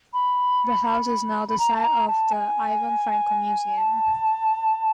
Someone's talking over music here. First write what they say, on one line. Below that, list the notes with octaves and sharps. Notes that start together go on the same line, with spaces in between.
The house is now the site of the Ivan Franko Museum.
B5
B5
A#5
A5
A#5
A5
G#5
A5